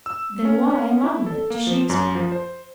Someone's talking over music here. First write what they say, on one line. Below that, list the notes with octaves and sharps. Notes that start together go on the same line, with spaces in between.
Then why a monument to Shakespeare?
E6
C#4
C#4
E4
A4
A#3
F3
F#2
F3
C5